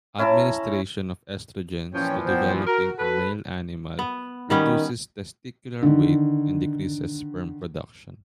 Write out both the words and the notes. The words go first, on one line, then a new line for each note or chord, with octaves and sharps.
Administration of estrogens to developing male animals reduces testicular weight and decreases sperm production.
C#4 E4 A5 A#5
A#2 E3 F3 C#4 C#5 G5
B3 C5 G5
F#4 A#4
A4 B4
B3
D#3 G3 B3 C#4
D3 D#3